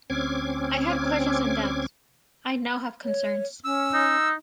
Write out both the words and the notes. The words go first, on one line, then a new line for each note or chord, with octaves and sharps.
I had questions and doubts, I now have concerns.
D2 C4 C#4 D6 G#6
C#5
C#4 E6
D#4